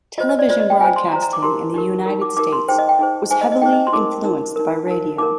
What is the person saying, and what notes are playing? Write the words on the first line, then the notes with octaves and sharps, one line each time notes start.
Television broadcasting in the United States was heavily influenced by radio.
F4 C5 D#5
D#5
D5
F4 C5 D5
D#5
G5
F4 C5 G#5
C6
F4 C5 A#5
A#5
D6
D#4 G4 A#4 C6
D#4 G4 A#4
D#4 G4 A#4
D6
D#4 G4 A#4 D6
C6
D#4 G#4 C5 G5
D#5
G5
D#4 G#4 C5
D#4 G#4 C5 G#5
D#5
D#5
D#4 G#4 C5 G5
D#5
C6
D#4 A#4 D6
D#4 A#4
D#4 A#4
D#4 A#4
D#4 A#4 D6